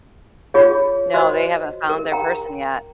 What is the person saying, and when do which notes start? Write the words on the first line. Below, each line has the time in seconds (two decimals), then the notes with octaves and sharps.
No, they haven't found their person yet.
0.54 F4 G#4 C#5
1.14 F#4 C5 D#5
1.89 A#4
2.12 G5 A#5